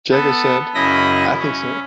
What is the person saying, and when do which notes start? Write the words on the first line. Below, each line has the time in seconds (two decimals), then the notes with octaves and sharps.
Jagger said: I think so.
0.11 B3 A4
0.75 F#2 C#3 E4 D#5 B5 A#6
1.39 C#4